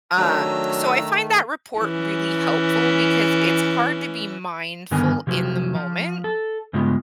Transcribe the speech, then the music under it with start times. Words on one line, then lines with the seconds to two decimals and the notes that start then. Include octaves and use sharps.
um, so I find that report really helpful because it's hard to be mindful in the moment
0.17 D#3 F#3 A3 D4 A#5 E6
1.79 E3 C#4
4.91 G2 D3 D#3 B3 A#4 G#5
5.27 C3 F3 F#3
5.75 F3
6.24 A4
6.73 G2 C#3 G#3 B3 F4